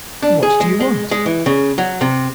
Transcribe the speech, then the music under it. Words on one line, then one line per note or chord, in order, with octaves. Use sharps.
"What do you want?"
D4
G#4
G#3
G#3
G#3
E3
C#3
F#3
C3